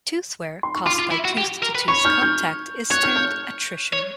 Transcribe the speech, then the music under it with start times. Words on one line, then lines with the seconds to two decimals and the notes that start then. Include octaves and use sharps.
Tooth wear caused by tooth-to-tooth contact is termed attrition.
0.63 C6
0.75 C#6
0.86 F4 C6 D6
0.99 F4
1.11 E4
1.25 F#4
1.37 G4
1.63 A#4
1.75 B4
1.88 C#5 B5 C#6
2.05 F6 G6
2.22 F6 G6
2.90 C#5 F#6 G#6
3.03 F6 G6
3.16 F6 G6
3.93 C#5